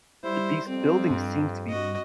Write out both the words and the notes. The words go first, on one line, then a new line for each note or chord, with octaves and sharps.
these buildings seem to be
G3 E4 C5
F2 C4
G2
F#4 D#5